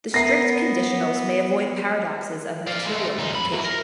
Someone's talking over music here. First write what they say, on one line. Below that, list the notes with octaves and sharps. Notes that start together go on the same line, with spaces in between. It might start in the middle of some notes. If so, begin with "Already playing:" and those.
The strict conditionals may avoid paradoxes of material implication.
B3 A#4 E5 A#5 A#6 C7
D5 F5
G#3 A3
C#3 D#4
F2 B5
E3 F#3
A#4